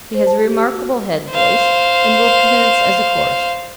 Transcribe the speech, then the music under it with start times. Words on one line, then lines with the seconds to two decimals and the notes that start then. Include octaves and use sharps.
'He has a remarkable head-voice, and will commence as a chorister.
0.15 C5
0.27 A5
0.43 G4
0.58 E6
0.74 F#4
1.31 C5 F5